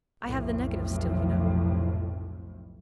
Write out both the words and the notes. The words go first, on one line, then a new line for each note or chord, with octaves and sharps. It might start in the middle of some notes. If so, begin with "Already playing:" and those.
"I have the negative still, you know."
F1 B1 F2 A2